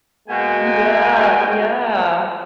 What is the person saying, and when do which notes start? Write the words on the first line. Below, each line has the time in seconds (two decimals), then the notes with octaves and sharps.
Yeah, yeah.
0.29 B2 G#3 A#3 F#4 G5 G#5